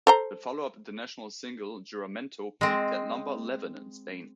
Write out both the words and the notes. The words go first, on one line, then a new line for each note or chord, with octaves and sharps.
The follow-up international single, "Juramento" peaked at number eleven in Spain.
A4 C5 A#5
G#3 C4